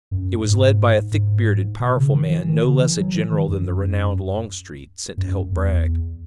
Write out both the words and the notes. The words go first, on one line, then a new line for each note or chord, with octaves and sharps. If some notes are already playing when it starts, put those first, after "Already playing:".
It was led by a thick-bearded, powerful man, no less a general than the renowned Longstreet, sent to help Bragg.
F#2
G#2
G#2
B2
C#3
D#3
E3
D#3
C#3
E3
F#3
E3
D#3
F#2
F#2
E2